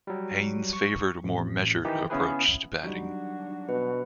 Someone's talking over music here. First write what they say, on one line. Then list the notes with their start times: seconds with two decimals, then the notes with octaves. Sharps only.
Haynes favoured a more measured approach to batting.
0.07 F#3 G3
0.73 C#6
1.23 A1
1.85 D#3 E3 D#4 G4
2.10 C#3 B3 C#4 E4 G#4 B4
2.83 F#3 G3 D4 D#4 F#4
3.69 B2 B4